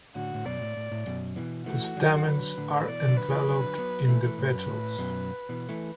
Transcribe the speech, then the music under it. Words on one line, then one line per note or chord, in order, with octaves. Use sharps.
The stamens are enveloped in the petals.
A2 D3 F#4
A2
F#2 B2 D5
A2
A2
A2
F#2 B2
B2 E3
E3 A3 F#4
D3 F#3
D3 F#3 B4
A2 D3
B2 E3 D5
D3 F#3
B4
E3 A3
D3 F#3
F#3 B3
E3 A3 B4
E3 A3
A2
F#2
A2
F#2 B2
B2 E3
E3 A3